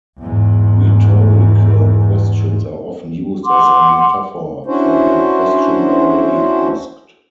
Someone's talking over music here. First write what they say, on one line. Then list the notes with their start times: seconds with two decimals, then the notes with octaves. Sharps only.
Rhetorical questions are often used as a metaphor for a question already asked.
0.18 E2 G#2
3.44 F#5 C6 D6
4.66 C#4 D4 E4 F#4 C5